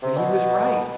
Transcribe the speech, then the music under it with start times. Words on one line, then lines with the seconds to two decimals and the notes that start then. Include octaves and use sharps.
But he was right.
0.03 C3
0.17 B2